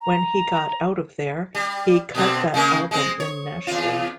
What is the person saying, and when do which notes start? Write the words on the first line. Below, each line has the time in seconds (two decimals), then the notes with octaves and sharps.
When he got out of there, he cut that album in Nashville.
0.02 A#5
1.55 G3
2.15 B2 D3 C4
2.54 C#3 G#3 A#3
2.91 G#3 C4
3.20 C#5
3.67 E2 F4